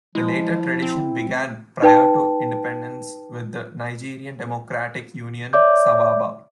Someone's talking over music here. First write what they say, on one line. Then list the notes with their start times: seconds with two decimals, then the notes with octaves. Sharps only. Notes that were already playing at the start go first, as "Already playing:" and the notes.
The latter tradition began prior to independence with the Nigerien Democratic Union-Sawaba.
0.15 F3 G#3 E4
0.82 C4
1.82 D#4 B4 G5 A5
5.53 C#5 D5 E5 D6 G6